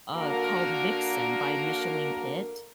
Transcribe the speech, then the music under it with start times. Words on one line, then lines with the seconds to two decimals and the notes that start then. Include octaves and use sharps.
uh, called Vixen by Micheline Pitt,
0.14 D3 A#3 F#4 A#4